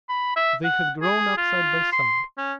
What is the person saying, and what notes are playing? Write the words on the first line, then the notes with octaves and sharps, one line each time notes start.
They had grown up side by side.
B5
E5
F#5
G#4
F4
C6
C#4